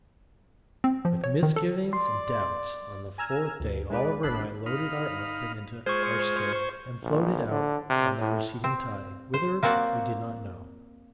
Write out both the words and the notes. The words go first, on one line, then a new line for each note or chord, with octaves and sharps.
With misgivings and doubts, on the fourth day Oliver and I loaded our outfit into our skiff and floated out on the receding tide, whither, we did not know.
C4
F3
C#5
D#3
A4
D5 C6
G#5 A#5 E6 F6 G#6
D2
G#3 D#4 B4 D5
G#1 D4 A5 B5 F#6 C7
D#4 F5 B5
G#3 F4 G#4 C5 C#6
A#1
D3
C3
A2
C4
C5
A#3 C4 C#5 D5 F#5